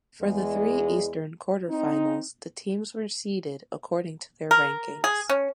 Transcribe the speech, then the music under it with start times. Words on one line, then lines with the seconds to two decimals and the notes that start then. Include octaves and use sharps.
For the three eastern Quarterfinals the teams were seeded according to their rankings.
0.22 E2 G#3
1.69 C4 D#4
4.51 A#4
5.04 G#4
5.29 C#4